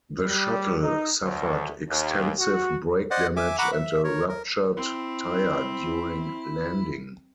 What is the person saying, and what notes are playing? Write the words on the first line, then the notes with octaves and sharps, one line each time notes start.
The shuttle suffered extensive brake damage and a ruptured tire during landing.
G3
D#4
D2
D#2
F#4
C5 D5 D#5 F#5
E5 G#5 D6
F#5 A#5 B5 C#6 D6
E5
A#4 C#5
A#4
C4 E4